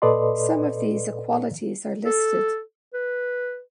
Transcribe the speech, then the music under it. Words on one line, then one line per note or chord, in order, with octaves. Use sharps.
Some of these equalities are listed.
A#2 A4 B4 D5 D#5 C6
A4
B4